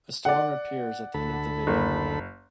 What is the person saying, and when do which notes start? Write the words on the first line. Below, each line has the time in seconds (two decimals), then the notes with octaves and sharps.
A storm appears at the end of the video.
0.25 D5 F#5
1.14 D2 A4 B5
1.67 F#1